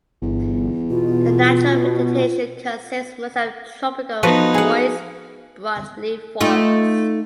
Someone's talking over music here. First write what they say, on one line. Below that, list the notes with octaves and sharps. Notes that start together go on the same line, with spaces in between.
The natural vegetation consists mostly of tropical moist broadleaf forests.
G1 E2
B2 F4
F3 B3 D#4 F#4 B4
G#4 F#5
A3 D#4 F4